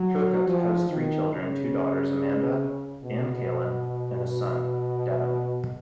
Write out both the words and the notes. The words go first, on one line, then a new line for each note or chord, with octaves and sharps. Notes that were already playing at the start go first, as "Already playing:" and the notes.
Turcotte has three children, two daughters, Amanda and Kaylyn and a son, Devan.
Already playing: F#3
F3
D#3
C#3
B2